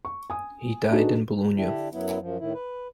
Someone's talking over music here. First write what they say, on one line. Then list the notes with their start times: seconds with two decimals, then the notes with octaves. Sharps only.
He died in Bologna.
0.05 C#6
0.30 G#5 D#6
0.90 D4 D#4 F#4 G#4 A4 B4
1.57 D3 D4 E4 G4
1.92 F#2 F#3 B3 E4
2.19 F#2 F3
2.39 A2 D#3 E4
2.53 B4